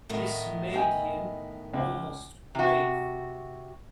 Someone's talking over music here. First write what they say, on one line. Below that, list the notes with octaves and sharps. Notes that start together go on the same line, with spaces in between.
This made him almost grave.
A2 D#3 B3
D#5 G5 G#5
C#2
C3 F#4